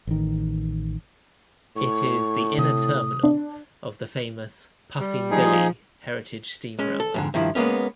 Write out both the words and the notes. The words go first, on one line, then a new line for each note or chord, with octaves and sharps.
It is the inner terminal of the famous Puffing Billy heritage steam railway.
A1 D#3
A2 C#6
C3 D#6
D4
G3
F3 D#4 G#4
G#3 C#4
A4
F2 G#2 D3
G2 D#3 F3 E4
G#3 A#3 B3 C#4